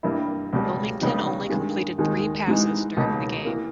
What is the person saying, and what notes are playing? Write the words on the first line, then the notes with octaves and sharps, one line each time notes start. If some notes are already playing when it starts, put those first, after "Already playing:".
Wilmington only completed three passes during the game.
G2 G3 A#3 E4
C#2 B2 G3
C#2 C#3 G3 B3 D#4
G2 D#3 G#3
D#2 D#3 G#3 D#4
G#2 E3 G#3 D#4
C#2 B2 A#3 D#4
E3 A#3